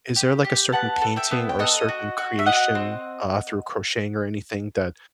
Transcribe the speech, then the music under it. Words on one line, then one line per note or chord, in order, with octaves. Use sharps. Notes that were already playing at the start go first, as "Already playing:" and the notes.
is there, like, a certain painting or a certain creation, uh, through crocheting or anything that
G4
G4
B3 F#5 A5
A4
E5 G5
B3
G5
A4 D#5 F#5
F#4
F#4
E5
F#4 D#5 F#5
C4